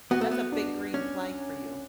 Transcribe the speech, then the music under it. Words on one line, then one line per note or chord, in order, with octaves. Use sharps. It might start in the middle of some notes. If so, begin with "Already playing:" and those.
And that's a big green flag for you.
B3 F#4
A3
B3
D4
C#4 D4